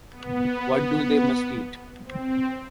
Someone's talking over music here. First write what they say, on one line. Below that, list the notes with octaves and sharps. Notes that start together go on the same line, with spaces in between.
What do they must eat?
B3
C4